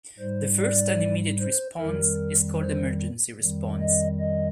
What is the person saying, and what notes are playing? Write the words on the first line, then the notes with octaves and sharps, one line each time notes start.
The first and immediate response is called emergency response.
G#2 G3 C5
D5
C5
F2 D#3 G3 A#4
C5
F2 D#3 G3
D#5
D#5